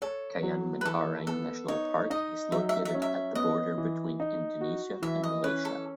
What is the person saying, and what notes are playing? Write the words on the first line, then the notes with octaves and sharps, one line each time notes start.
Kayan Mentarang National Park is located at the border between Indonesia and Malaysia.
A4 C#5
F#3
B4
E3 A4
B3 A4
D#4 C#5
D#4 D#5
F#3 E5
E5
E5
C#4
E5
B3 D#5
E3
D#4
F#4
E3 E5
D#5
C#4 B4
A4